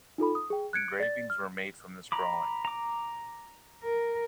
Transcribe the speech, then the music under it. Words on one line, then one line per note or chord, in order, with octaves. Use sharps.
Engravings were made from this drawing.
D#4 F4 A4 B5
D#6
G#4 G5
F#6 G#6 C#7 D7
D5 A6
F6
A#5 B5 D6
A#5 D6
A#4